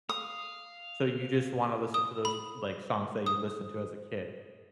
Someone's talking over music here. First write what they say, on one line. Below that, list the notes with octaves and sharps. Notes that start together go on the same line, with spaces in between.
so you just wanna listen to those, like, songs that you listened to as a kid.
F5 D#6
D#6
B5
D#6